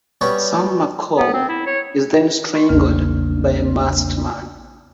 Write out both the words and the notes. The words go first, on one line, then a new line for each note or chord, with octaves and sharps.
Sam McCall is then strangled by a masked man.
G3 B3 C#4 F#4 G4
B3
C4
E4
C#5
C6 C#6
A#1 E2 C#3 A#3 D4 F6